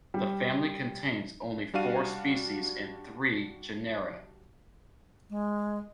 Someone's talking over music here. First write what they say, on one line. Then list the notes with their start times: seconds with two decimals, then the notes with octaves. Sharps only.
The family contains only four species in three genera.
0.14 G3
1.74 G3 D4 F#4 F5 D#7
5.30 G#3